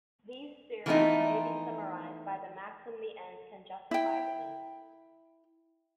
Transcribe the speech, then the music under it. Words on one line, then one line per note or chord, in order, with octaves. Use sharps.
These theories may be summarized by the maxim the ends can justify the means.
E3 F3 A3 B3 C4 D#4
E4 G5